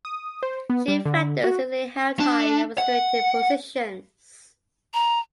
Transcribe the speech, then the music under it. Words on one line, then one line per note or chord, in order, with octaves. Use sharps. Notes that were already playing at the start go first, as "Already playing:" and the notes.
Chief Factors usually held high administrative positions.
D#6
C5
B3
G3
D3
F#4
D4
F#5
A#5